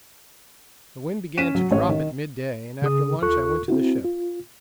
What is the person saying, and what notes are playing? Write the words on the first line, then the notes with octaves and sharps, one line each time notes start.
The wind began to drop at midday, and after lunch I went to the ship.
C#4 B6 D#7 E7
F#3
A1 C#5
D#3
C#3 G#4 D#6
D#2 F4 A4 C#6 F#6
C4 E4 F#4
F4